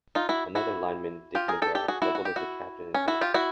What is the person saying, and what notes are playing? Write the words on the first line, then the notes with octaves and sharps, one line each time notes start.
Another lineman, Dick McGrath, doubled as captain and coach.
D#4 F4
E4 F#4
E4 F#4
F4 G4
G#4 A#4
G4 A4
G4 A4
F#4 G#4
E4 F#4
F#4
G4
E4 F#4
C#4
E4 F#4
F4 G4
E4 F#4